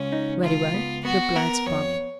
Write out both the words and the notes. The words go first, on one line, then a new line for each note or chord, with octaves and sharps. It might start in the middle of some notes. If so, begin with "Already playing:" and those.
"Very well," replied Spargo.
Already playing: C#2 C#4
D#4
C#2 F4
B3
B3 F#4
B3 A#4
F2 C#5